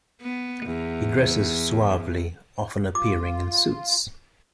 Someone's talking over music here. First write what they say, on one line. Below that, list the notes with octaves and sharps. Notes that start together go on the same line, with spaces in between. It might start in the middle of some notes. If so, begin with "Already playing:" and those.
He dresses suavely, often appearing in suits.
B3
E2
F4 D6